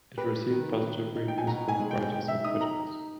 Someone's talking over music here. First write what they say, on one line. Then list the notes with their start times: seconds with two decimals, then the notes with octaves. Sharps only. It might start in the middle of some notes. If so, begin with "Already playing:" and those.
It received positive reviews from writers and critics.
0.18 G4 B4
0.50 D#3
0.82 D#3
1.15 D#4
1.28 G5
1.38 G#5
1.47 B2 A#5
1.68 G#5
1.79 G#3
1.91 G5
2.12 D#4 G5
2.28 E5
2.45 D#4 D#6
2.61 A#5
2.77 G4